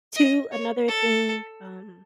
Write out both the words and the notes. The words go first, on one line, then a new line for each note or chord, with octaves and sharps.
too, another thing, um,
D#5
C#5
A4